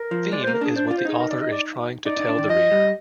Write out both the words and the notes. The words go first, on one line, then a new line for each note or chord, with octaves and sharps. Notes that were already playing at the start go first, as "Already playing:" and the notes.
Theme is what the author is trying to tell the reader.
Already playing: A#4
F3
G#3 D5
A#3 C5
A#4
D4 G#4
D4 C5
F4 D5
C5
D#4 G#4
A#4
D5
D#5
D5
D#4 D5
D#4
D4
D#3
F3 D#5
G3